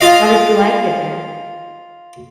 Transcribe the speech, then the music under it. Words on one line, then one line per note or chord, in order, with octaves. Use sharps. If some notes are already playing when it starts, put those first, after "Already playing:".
How did you like it there?
F4 D#5 F5